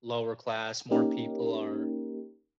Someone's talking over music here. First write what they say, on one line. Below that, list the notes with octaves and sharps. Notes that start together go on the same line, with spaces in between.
lower class, more people are
A#3 C#4 D#4 G4 A#4